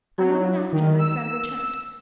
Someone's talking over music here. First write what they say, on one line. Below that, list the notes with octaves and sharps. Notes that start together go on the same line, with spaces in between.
A moment after my friend returned.
F#3
D#3
E6